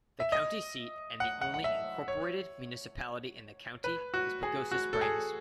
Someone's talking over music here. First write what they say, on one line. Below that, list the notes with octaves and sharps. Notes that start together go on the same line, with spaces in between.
The county seat and the only incorporated municipality in the county is Pagosa Springs.
E5
D#5
F#5
F#5
F#5
E5
C#5
B4
F#4
G#4
F#4
A4
G#4